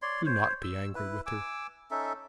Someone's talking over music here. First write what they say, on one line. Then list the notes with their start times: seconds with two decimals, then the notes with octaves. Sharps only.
'Do not be angry with her.
0.02 C#5 D5 C6
0.26 C5 C#5
0.63 E6
0.95 E4 B4
1.26 G#5 D6 E6
1.91 C#4 D#4 A4 E5